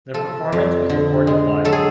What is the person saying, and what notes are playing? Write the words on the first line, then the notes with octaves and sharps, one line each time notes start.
The performance was recorded live.
F3 A4
F2
D3
G#3
F#3 A4
G#4